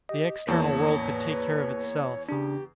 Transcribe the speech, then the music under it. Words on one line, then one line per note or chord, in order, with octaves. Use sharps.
The external world could take care of itself.
G4 D#5
E2 A#3 B4 C#5 A5
C#3 D4 G4